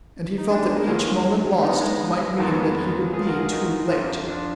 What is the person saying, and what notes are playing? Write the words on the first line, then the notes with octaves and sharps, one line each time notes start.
And he felt that each moment lost might mean that he would be too late.
D#4
D4
B3
A#3
D#2 D3 F3 G#3
B3 D#4
G#3 B3
F2 D#3 F#3 A#3
G#3 B3
G#3 B3
F4 G#4
F#4 A#4
F4 G#4
D#4 F#4
F2 D3
D4 F4